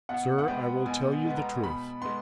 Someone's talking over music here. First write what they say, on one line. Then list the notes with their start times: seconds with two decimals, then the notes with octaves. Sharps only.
'Sir, I will tell you the truth.
0.09 B2 F#5
0.38 F#5
0.48 G#3 B3 G5
0.85 B2 G#5
1.25 G#3
1.30 B3
1.37 A#5
1.63 B2 B5
2.02 G#3 B3 C6